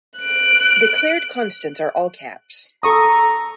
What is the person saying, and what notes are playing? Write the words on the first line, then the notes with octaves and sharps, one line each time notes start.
Declared constants are all caps.
F#6 D7
A4 A#5 C#6 D#6